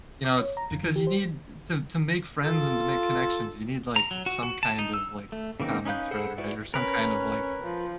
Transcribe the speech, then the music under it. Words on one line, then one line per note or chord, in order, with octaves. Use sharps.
you know, it's because you need to to make friends and to make connections, you need, like, some kind of, like, common thread, right, or some kind of, like
D6
C#5
A#5
F2
E3
G4
C5
F4 A4
A#5
F#3
F#4
F#4
A5
D#4
E6
A3
C#3 E3 A#3 C4 D#4
C#4 D#4 B4 F5 G6
G#4 A4 C5 F#5 B5
E4 F#4 B4 D5 E5
C#4 A#4 B4
F3